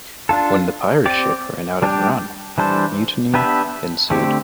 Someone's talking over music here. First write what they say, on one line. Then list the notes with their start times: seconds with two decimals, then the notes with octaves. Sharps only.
When the pirate ship ran out of run, mutiny ensued.
0.29 D4 F4 A4
1.06 C4 G4 D5
1.82 G3 D4 G4
2.58 E3 G3 D4 A4 C5
3.34 B3 D4 G4 B4 E5
4.10 D3 A3 C4 G4